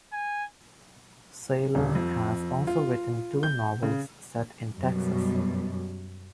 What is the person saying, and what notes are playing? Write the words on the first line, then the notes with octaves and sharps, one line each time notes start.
Saylor has also written two novels set in Texas.
G#5
D#1
F2
F4
G6
C#3
F#2 B2 G3